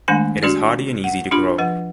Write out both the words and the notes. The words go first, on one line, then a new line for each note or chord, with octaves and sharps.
It is hardy and easy to grow.
D#3 G#3 A3 D4 G#5
D4 F#4 G4 D5
F#5
D4 F4 G4 B5
F3 B4 F#5